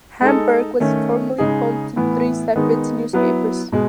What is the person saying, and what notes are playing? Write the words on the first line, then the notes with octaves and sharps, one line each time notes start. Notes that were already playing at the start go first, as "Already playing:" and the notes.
Hamburg was formerly home to three separate newspapers.
G#3 D#4 A4
D#3 A3 C#4
C#3 G#3 D#4 G#4
A2 E3 B3 E4
D#3 G#3 B3 D#4
F#3 B3 E4 B4
B2 G#3